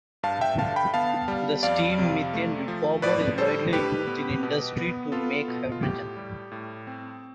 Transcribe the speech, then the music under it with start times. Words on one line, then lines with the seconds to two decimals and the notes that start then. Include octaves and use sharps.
The steam methane reformer is widely used in industry to make hydrogen.
0.23 G2 F5 A5
0.41 E5 G5
0.59 D3 F5 A5
0.76 G5 B5
0.94 B3 F5 A5
1.28 G3
1.63 F2 D5 F5
1.98 C3
2.34 A3
2.68 F3
3.02 A2 B4 D5
3.38 G3 A4 C5
3.73 A2 G4 B4
4.07 B3
4.43 B2
4.78 B3
5.12 B3 F4 A4
5.48 B2
5.72 F4
5.82 A2 G4
6.17 G3
6.52 A2
6.87 C4